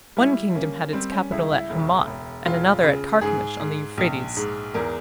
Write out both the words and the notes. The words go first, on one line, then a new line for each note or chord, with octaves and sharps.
One kingdom had its capital at Hamath and another at Carchemish on the Euphrates.
G3 E4
A#3 C#4
G3 C4
C#4
C#2 E4
E4
E1
E1
E1 F4
C#3
G#2 G#4
G#2
A#1
G#2
E2 A#4